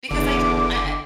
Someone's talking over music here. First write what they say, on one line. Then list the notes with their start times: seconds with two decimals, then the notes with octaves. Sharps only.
because I don't I
0.10 F#1 E2 D3 D6